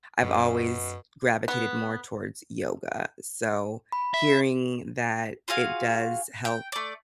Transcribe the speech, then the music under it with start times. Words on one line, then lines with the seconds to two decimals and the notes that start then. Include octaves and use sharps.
I've always gravitated more towards yoga. So, hearing that it does help,
0.23 F#2 B2
1.48 B3
3.92 B5
4.14 E5
5.48 F4 F#4 G#4 F5
6.45 G5
6.72 A3 D5